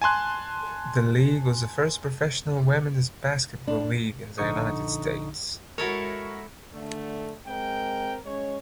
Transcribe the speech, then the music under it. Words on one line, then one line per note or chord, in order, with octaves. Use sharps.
The league was the first professional women's basketball league in the United States.
G#5 A5 C6 F#6
D4
A#1 D3 D#4 C#6 D#6
G#3 E4 F#4 A4 A#4 C#5 E5
D3 A3
G#3 C4 A#4 G5
G#3 C#4 C#5